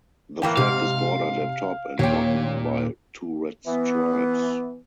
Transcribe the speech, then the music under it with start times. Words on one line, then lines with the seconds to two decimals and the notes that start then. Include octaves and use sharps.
The flag is bordered at top and bottom by two red stripes.
0.42 A2 E3 A#3 G5
0.57 G#2 C3 F5
1.99 D#2 A#2 C#5 G5
3.66 E3 B3